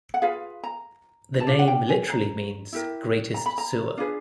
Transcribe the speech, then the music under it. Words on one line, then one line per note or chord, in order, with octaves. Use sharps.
The name literally means "Greatest Sewer".
F#5
F4 G#4 B4 F5
A#5
A5
D4 F4
F#5
G5
G#5
A#5
E4 G4 A#4
A#5
B5
A#5
D4 F4 G#4 B4